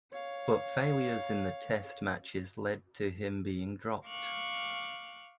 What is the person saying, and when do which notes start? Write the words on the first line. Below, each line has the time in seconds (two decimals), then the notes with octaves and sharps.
But failures in the Test matches led to him being dropped.
0.13 C#5 F5
4.07 F5 C#6 D6 F6 F#6